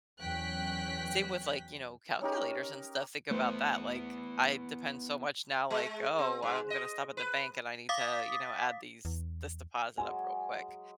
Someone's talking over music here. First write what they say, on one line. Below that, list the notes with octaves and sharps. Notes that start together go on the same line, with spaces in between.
Same with, like, you know, calculators and stuff. Think about that, like, I depend so much now, like, "Oh, I'm gonna stop at the bank, and I need to," you know, "add these this deposit up real quick."
E2 F#3 C#4 G5 F#6 B6
C#4 D#4 G4 A#4
A3 B3 E4 B4 C5
G#3
C4
G#2
D#5
B4
F5 D6 D#6 A6 B6
E2
F#3 G#3 G#5